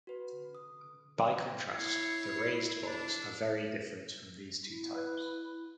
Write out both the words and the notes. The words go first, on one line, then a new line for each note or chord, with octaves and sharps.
By contrast the raised bogs are very different from these two types.
F#4 B4
D#6
E4 C#5 C7
D4
E4
B4